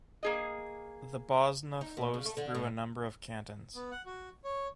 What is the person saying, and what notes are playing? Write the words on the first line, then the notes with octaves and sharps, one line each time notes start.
The Bosna flows through a number of cantons.
A#3 G#4 D#5
D#4
A#2
C#3
A3
D3
A2
B3
F#5
F#4
C#5